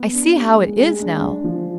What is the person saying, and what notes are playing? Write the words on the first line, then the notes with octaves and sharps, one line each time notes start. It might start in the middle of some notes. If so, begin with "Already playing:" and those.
I see how it is now.
Already playing: B3
D4
G4
G#3
G#3
D4
D4
F3